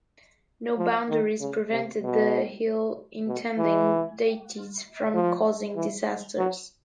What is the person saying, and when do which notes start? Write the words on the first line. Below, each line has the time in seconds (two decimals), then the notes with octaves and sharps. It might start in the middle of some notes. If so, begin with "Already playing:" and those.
No boundaries prevented the ill-intending deities from causing disasters.
0.78 F3
1.09 D#3
1.40 C#3
1.71 C3
2.02 B2
3.27 B2
3.58 E3
5.14 F3
5.76 E3
6.38 F#3